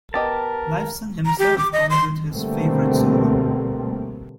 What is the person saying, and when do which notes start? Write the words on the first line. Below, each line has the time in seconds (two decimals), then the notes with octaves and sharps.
Lifeson himself calls it his favorite solo.
0.14 B3 G4 A#4 D#5 A5
1.26 A#5
1.39 G4
1.58 D6
1.73 D#5
1.90 C6
2.30 B2 D3 G3 A3 A#3 C4